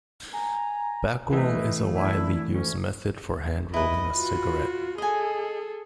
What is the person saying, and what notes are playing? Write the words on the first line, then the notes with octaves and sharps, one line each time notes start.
Backroll is a widely used method for hand-rolling a cigarette.
G#5 A#5
E3 A3 B4 D#5 E5
D4 E4
D2 C#4
E4 B4 D#5
F4 F#4
G#4 A4 D#5 G#5